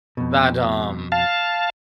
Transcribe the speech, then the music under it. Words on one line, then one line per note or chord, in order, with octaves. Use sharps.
but, um,
F2 B2
F5 A5